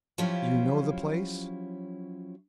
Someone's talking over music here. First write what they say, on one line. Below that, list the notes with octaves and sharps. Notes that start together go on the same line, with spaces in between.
"You know the place?"
F3 F#3 C#4 E4 F4 G4